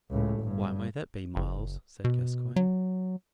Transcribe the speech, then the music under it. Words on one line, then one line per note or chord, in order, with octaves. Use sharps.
"Why may that be, Myles?" said Gascoyne.
C#2 A2
G1 G2
F#1
B2
F#3